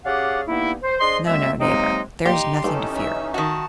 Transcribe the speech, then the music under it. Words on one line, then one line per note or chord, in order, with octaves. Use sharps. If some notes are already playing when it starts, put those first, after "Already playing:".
No, no, neighbor, there's nothing to fear!
C#4 G4 G#4 D5 F5 F#5
G2 A#3 B3 D#4 E4
C5
D4 G#4 C5 D#5 C6
F#2 G#3 A#3 C4 E5
C3 F#3 G#3 A#3 C4 D#4
A#2 A#3 D#4 G4 C6
G2 E3 C#4 D#4 A4
E5
D#3 F#4 A5